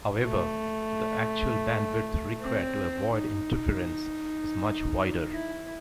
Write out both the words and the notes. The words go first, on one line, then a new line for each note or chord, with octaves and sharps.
However, the actual bandwidth required to avoid interference is much wider.
A3
C4
D#4
E4